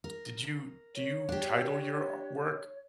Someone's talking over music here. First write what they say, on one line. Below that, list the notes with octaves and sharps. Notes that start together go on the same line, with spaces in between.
Did you do you title your a work?
A#4
C#5
D4 G4